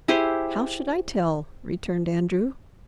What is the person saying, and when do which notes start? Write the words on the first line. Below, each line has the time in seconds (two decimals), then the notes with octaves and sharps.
"How should I tell?" returned Andrew.
0.08 E4 G4 G#4 C5